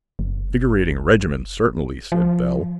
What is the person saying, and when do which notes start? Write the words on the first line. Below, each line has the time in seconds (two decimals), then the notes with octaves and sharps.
"Invigorating regimen, certainly!" said Bell.
0.19 F#1
2.12 F3